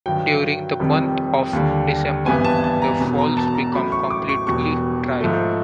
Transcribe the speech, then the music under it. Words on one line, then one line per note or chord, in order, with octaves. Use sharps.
During the month of December the falls become completely dry.
G2 D#3 F#3 G5
F1 F2 C3 D#3 G3
D#2 D3 G3
G#1 G2 E3 G3 B3 G#5
A5
A5
A#5
E1 E2 B2
A#5
A5
A#5
A1 A2 F#3 B5
C#6
D6
C#6
E1 E2 B2 G3 C#6
G#2 F3 A3